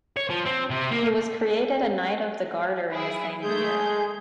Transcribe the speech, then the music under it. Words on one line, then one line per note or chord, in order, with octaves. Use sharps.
He was created a Knight of the Garter in the same year.
C#5
F3
C4
C3
A#3
F#3 E4 G#4
G#3 A3 G#4 G6